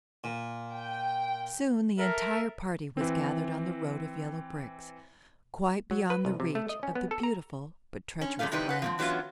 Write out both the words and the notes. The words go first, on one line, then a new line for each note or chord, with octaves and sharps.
Soon the entire party was gathered on the road of yellow bricks, quite beyond the reach of the beautiful but treacherous plants.
A#2
G5
A4 A#4 E5
E3 C4
F#3
B4
C2
C3
A3
D#5
C#4
B3
A4
A#5
C#4
F2 C#3 G3 A3 F5
C3 E3 G3 D#4 B4
B4 F#5
F3 A#3 C4
E3 F#3 B3 C#4 F4